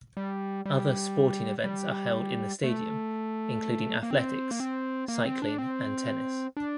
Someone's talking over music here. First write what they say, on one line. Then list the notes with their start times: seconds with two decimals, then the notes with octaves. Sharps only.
Other sporting events are held in the stadium, including athletics, cycling and tennis.
0.17 G3
0.65 G3
1.64 G3
2.63 A3
4.03 A#3
4.11 C4
4.51 A#3
4.60 C4
5.08 A#3
5.25 C4
5.42 D4
5.58 C4
6.57 D4